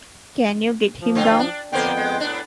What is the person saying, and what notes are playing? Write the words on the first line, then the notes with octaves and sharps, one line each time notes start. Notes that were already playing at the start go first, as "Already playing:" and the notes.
Can you get him down?
F3
D3 C4 F4
D4
F2 D3 A#3 B3 C5 G5
G#3
A2 B3 D4